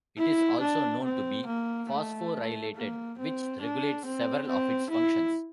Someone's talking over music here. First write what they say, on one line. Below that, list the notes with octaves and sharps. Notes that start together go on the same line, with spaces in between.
It is also known to be phosphorylated which regulates several of its functions.
E4
D4
C4
A#3
A3
A#3
C4
D4
C4
C4
E4